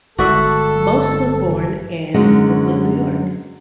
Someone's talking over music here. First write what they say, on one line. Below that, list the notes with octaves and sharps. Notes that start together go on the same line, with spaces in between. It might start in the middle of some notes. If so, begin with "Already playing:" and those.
Most was born in Brooklyn, New York.
G1 G#3 F#4 A4 D5 E5
F#2 D3 F#3 G#3 C#4 D#4